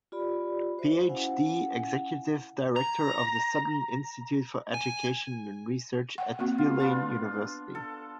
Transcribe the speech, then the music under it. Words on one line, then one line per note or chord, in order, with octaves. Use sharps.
Ph.D., Executive Director of the Southern Institute for Education and Research at Tulane University.
F4 G4 D5 B5
F#4 C5 E5
C#4 E4 F5 F#5 G#5
A#5
G#5
F#5 G5
A#3 C4 F#4
F4
B3 D4 F4
A4